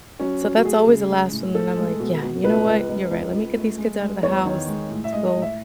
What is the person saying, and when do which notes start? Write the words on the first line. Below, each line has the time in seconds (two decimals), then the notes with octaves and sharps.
So, that's always the last one then I'm, like, "Yeah, you know what? You're right. Let me get these kids out of the house t to go
0.20 F#3 C#4
0.42 F#3
0.58 F#4
0.64 A3 G#4
0.87 C#3
1.10 G#3
1.32 A2
1.54 A2 A4
1.76 G#3
2.00 B2
2.22 B2
2.44 C#2 B4
2.66 C#2
2.89 C#2
3.11 C#2
3.33 C#2
3.57 A3
3.78 G#3
4.01 G#3
4.23 E2 C#5
4.45 D#3
4.67 G#3
4.91 A2
5.04 E5
5.13 G#3 D#5
5.28 D#5
5.35 A2
5.42 E5